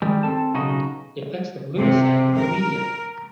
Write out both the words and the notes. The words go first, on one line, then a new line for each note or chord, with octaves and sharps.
The effects of Lewisite are immediate.
D#3 G3 G#3
C4 A4 A5
B1 C#3 D#4 F#4 D#5
C3
A#4